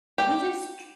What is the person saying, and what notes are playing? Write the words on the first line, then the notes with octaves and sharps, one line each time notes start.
"He just ch
G4